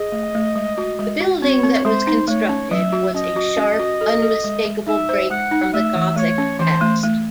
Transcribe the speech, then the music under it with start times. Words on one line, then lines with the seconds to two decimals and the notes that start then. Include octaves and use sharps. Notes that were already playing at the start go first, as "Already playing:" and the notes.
The building that was constructed was a sharp, unmistakable break from the Gothic past.
Already playing: G#4 D#5
0.12 A3
0.35 A3
0.56 G#3
0.78 F#4
0.99 G#3
1.20 F#4
1.42 C4 C#5
1.64 C4
1.85 G#3 C5
2.07 D#4
2.28 A3 C#5
2.49 C#4
2.71 F#3 E5
2.92 F#4
3.15 C#4 D#5
3.36 F#4
3.57 C#4
3.79 F#4
4.01 A4
4.22 A4
4.44 G#3
4.65 G#3
4.87 D#4 E5
5.09 C5
5.30 G#3 F#5
5.51 D#4
5.73 A3 E5
5.95 E3
6.16 A3 C#5
6.38 C#4
6.60 E3 C5
6.81 A3
7.03 A3